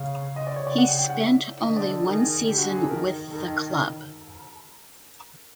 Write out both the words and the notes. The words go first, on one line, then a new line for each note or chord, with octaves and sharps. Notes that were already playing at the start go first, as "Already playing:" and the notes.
He spent only one season with the club.
Already playing: C#3 F5
C#3 D#5
D5
C#5
D5
F#5
G5
G5
F#5
E5
D3 D#5
D5
A4
D#3 G#4
D3 G4
F#4
G#4
A4
D#3 A#4
D#3 A4